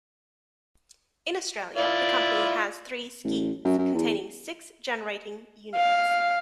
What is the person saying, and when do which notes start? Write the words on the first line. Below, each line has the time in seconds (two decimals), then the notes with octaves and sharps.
In Australia, the Company has three schemes containing six generating units.
1.77 E4 F4 D5
3.24 A1
3.65 F#2
3.78 F#2
3.94 E2
5.75 F5